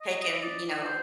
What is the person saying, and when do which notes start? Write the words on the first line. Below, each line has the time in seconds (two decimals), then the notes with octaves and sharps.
taken, you know,
0.01 D#5
0.22 D#5
0.42 D5
0.85 C5